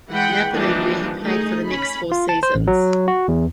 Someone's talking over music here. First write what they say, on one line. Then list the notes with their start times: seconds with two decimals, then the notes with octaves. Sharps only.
Napoli where he played for the next four seasons.
0.10 E3 G#3 F#5 G5 B5
0.51 E3 F3 G3 A#3 D4 D#4
1.21 A3 D#4 G#4
1.69 C#4 B5
2.12 F4
2.29 A5
2.43 C5
2.55 A1
2.67 F#3
3.08 F#4
3.28 E2